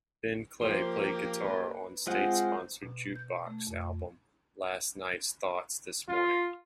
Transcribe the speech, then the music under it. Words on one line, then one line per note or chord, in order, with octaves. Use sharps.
Ben Clay played guitar on 'State Sponsored Jukebox' album 'Last Nights Thoughts This Morning'.
F3 A#3 G4 C6
B4
G#3 C4 F4 C5 F#5
B2
G6
A3
F2
F4